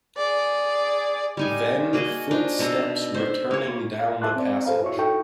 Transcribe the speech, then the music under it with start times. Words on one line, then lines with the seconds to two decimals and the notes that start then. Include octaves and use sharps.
Then footsteps returning down the passage.
0.17 G#4 D5
1.37 G3 D#4 G#5
1.93 A#3 F#4 G#4 D#5
2.31 F3 D4 D#4
2.59 B2 A4 A#5
3.14 C5 E5
3.51 A#3 C#5
3.99 F5
4.22 G#4 E5 A5 C6 D6 F#6
4.36 C4 D5
4.65 G#4 A4 B4 C5 F5 A#5
4.82 E4 F#4 C#5 E5 C#6
4.98 D#4 E4 F#4 A4 G5 C#6